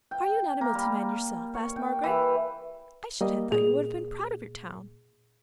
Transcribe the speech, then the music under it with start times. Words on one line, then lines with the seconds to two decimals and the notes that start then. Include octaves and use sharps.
'Are you not a Milton man yourself?' asked Margaret. 'I should have thought you would have been proud of your town.'
0.11 G5
0.61 A#3
0.75 G3
1.54 C#5
1.76 G5
2.04 E3
3.21 G3 A#3 D#5
3.52 A#2 G#4